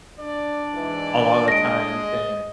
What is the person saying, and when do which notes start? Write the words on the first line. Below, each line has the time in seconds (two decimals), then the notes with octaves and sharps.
a lotta the times, and
0.20 D4 D5
0.73 G#2 E3
1.48 G#3 D#5 A#6 D7